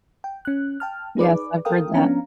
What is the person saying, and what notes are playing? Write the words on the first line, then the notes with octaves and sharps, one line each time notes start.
Yes, I've heard that.
G5
C#4 F#6
G5 A5 F6
D#4 G#4 B4 D5 D6
A4 A#4 F5 G5 D#6
F3 B3 C#4 D4 F5 A#5